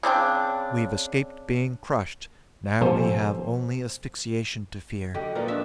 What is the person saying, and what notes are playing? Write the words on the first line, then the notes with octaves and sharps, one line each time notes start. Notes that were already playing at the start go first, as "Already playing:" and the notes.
"We've escaped being crushed. Now we have only asphyxiation to fear."
C#3 C4 D4 G5
B2 F3 G4 A4 C5 G#5
D3 F#3 G4 D#5
A#2 F3 D#4 A#4 B4 D5
D4 E5